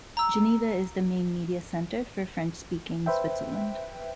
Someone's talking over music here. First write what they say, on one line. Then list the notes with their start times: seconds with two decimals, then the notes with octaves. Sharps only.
Geneva is the main media centre for French-speaking Switzerland.
0.17 A#5 E6
3.06 B4 C5 E5 G5